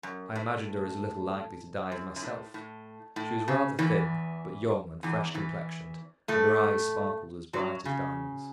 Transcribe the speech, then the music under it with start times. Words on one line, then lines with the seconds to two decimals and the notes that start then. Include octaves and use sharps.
I imagined her as little likely to die as myself. She was rather thin, but young, and fresh-complexioned, and her eyes sparkled as bright as diamonds.
0.03 F#2
0.35 A2
1.92 F#2
2.16 F#2
2.23 A2
2.54 A2
3.16 A2
3.48 C#3
3.79 E2 E3
5.03 E2 E3
5.34 E2 E3
6.28 A2 A3
7.53 F#2 F#3
7.85 C#3